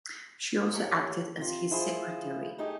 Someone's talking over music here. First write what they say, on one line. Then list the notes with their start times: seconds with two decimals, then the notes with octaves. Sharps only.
She also acted as his secretary.
0.73 A2 A#3 G4 A4 A#4 C#5
1.37 C3 F4
1.71 F3 E4 F4 G#4
2.58 A3 D#4 G4 G#4